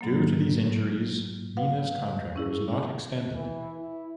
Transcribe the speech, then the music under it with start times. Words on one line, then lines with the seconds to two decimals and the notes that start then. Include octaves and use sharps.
Due to these injuries Mina's contract was not extended.
0.01 G#2 F#3 A#3
1.57 B4 F5 F#5
2.36 C#4 E4 G#4
3.34 E3
3.77 E4